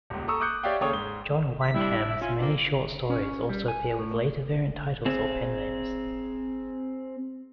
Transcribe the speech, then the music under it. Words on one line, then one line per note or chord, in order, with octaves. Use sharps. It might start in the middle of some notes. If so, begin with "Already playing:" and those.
John Wyndham's many short stories also appear with later variant titles or pen names.
D#1 C#2
A4 A#5 C#6 D#6 E6
D6 D#6 F#6 G6 C#7
G4 C#5 D5 E5 F5 G5
D#2 C#3 A4 C#5 G5 D#6
G#2 G7
B6
G3 D4 E4
E5
C#4 F4
A#3 C4 D4
C#4
G3
G#5
A2
C4 G#4